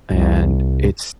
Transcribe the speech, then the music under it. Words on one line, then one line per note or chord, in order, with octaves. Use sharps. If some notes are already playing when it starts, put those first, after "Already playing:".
and it's
C2